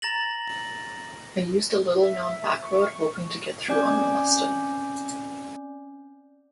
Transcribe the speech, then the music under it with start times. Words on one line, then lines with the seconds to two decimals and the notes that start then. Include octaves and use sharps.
I used a little-known back road hoping to get through unmolested.
0.02 A#5 A6 A#6 F#7
1.98 E5
2.63 C#6
3.68 C4 C#4 D5 G#5 D6 G6